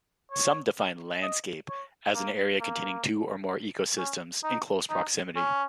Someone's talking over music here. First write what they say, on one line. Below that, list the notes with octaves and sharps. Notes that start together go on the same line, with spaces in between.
Some define 'landscape' as an area containing two or more ecosystems in close proximity.
C#5
D#5
C#5
A#3
A#3
C#4
D#4
D#4
C#4